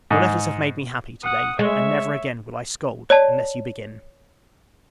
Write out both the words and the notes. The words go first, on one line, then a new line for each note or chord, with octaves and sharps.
Your letters have made me happy, to-day; and never again will I scold, unless you begin.
G#2
F#5 D#6
G#3 C#5 E5
C#5 D5 A5